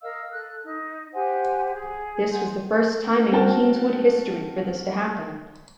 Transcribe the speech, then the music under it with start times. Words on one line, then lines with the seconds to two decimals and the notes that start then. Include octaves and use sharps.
This was the first time in Kingswood history for this to happen.
0.02 A#4 D#5 F5 E6
0.32 A4 F#6
0.62 D#4
1.13 G4 C5 F#5 G#5
1.73 G#4
2.32 F#5 G#5 C6 G6
3.32 C4 F#4 A#4 G5 A5